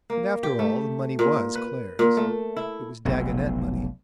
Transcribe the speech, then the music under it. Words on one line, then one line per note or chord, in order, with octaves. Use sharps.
And after all, the money was Clare's--it was Dagonet money.
A#3
G4
A3
A#2
B4
A#2
A3
E4
F1 B1